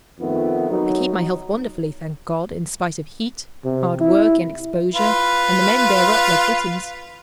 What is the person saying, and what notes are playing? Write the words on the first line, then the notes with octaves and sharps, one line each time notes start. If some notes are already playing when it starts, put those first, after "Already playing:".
I keep my health wonderfully, thank God! in spite of heat, hard work and exposure; and the men bear up like Britons.
F2 D#3 A3 B3
F#3 D#4
C3
E4
F4 B4